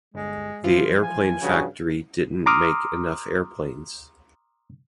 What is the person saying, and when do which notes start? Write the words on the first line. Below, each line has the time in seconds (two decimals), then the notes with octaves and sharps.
The airplane factory didn't make enough airplanes.
0.14 G1 G#3
0.64 E3 F3 F4
1.03 G#5
1.42 G2 C#3 F#4
2.46 A#5 C6 D6 D#6 F6